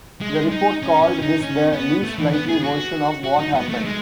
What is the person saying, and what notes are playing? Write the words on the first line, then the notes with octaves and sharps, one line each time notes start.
The report called this the "least likely version" of what happened.
G#3
D#4
C#4
C#4
D#4
C#4
B3
A3
E3
B3
G#4
F#4
F#4
D#4
B3
A3
G#3